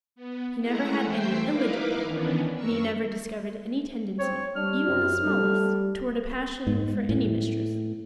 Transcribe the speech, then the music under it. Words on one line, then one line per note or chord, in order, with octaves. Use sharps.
He never had any illegitimate; and he never discovered any tendency, even the smallest, towards a passion for any mistress.
B3
G#3 A3 E4 F#5 A#5
E3 A3 C5 E5 G5 C7
D#4 E4 A#4 B4 F5 D6
D#3 E3 B3 C#4 D4
F#2 A#4 C#6 E6
C4 C#5
G3 D4 F6
F#2 C3
G3 A3
G#2
A2